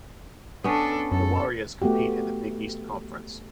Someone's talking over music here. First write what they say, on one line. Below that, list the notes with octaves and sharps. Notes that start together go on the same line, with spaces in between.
The Warriors compete in the Big East Conference.
B3 C#4 D4 A4
F#2 A4
A3 B3 F#4 G4